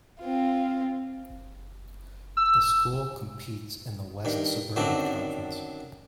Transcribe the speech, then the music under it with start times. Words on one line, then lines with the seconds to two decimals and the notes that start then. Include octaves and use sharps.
The school competes in the West Suburban Conference.
0.20 C4 F4
2.37 E6
4.25 G2 D#3
4.76 F#2 D3 D#3 F#3 C4 D4